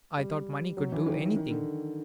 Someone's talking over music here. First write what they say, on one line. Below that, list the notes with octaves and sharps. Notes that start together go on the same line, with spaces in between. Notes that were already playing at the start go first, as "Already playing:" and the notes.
I thought money could do anything.
G3
F#3
E3
D#3
D#3
D3